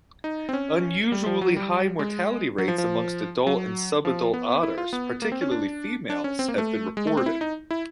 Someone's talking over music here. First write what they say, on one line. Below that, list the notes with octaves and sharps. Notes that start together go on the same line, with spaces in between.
Unusually high mortality rates amongst adult and subadult otters, particularly females, have been reported.
D#4
C4
C#4
G3
F3
F#3
G3
G#3
F#3
F3
F3
F#3
F3
B3
E4
F4
B3
A#3
C4
C#4
D4
D4
C#4
C4
A#3
A3
G#3
A3
C4
E4
D#4
E4